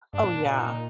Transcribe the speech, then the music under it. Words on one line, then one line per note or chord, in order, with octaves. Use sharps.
Oh, yeah.
G2 D4
A#2
A#2
A#2
D#4